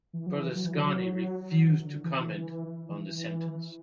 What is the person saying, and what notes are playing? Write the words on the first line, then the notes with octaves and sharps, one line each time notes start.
Berlusconi refused to comment on the sentence.
E3
F#3
E3
F#3
E3
F#3
E3
D3
E3
E3